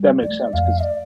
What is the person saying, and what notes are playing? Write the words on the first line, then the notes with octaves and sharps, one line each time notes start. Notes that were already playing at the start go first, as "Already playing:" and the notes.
That makes sense 'cause
Already playing: G3
A3 D5
F2 F5
D5